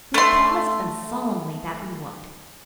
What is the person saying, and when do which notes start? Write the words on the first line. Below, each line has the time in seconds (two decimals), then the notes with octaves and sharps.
We have promised them solemnly that we would.
0.14 A3 C6